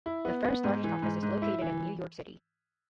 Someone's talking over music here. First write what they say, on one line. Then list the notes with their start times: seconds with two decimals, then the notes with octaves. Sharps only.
The firm's largest office is located in New York City.
0.06 E4
0.25 B3
0.45 B3
0.64 G#2
0.84 E3
1.02 G#2
1.23 G#2
1.42 E4
1.62 E3